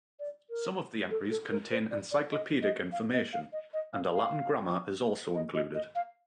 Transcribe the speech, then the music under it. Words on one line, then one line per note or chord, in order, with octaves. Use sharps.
Some of the entries contain encyclopedic information, and a Latin grammar is also included.
D5
A#4
A4
A4
A#4
C5
D5
D5
D#5
D#5
F5
D#5
F5
D#5
D#5
F5
F5
D#5
D#5
D#5
F5